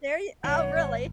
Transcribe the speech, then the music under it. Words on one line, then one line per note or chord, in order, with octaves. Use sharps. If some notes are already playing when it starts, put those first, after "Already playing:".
There you oh, really?
B1 D#3 C#5 F#5
G#1